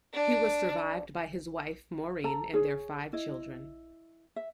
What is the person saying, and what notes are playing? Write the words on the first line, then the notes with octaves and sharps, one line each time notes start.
He was survived by his wife, Maureen, and their five children.
D4
A4 A#5
G#4 C#5
E4 D#5
E5